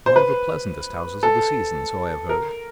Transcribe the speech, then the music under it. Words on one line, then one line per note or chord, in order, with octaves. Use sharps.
One of the pleasantest houses of the season, so I have heard.
C5
B4
A4
A#4